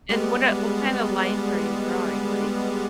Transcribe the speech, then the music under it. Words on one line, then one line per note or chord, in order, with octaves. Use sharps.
And what, uh what kind of life are you drawing? Like,
G3 G#3 B3